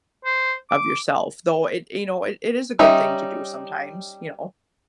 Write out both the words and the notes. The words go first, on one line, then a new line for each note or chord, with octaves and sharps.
of yourself. Though it, you know, it it is a good thing to do sometimes, you know?
C5
D6
G3 C#4 D#4 E5